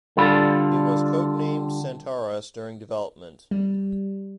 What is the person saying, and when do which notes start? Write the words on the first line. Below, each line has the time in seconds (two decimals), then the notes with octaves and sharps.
It was code-named "Centaurus" during development.
0.17 D3 G3 F4 A4 B5
3.51 G3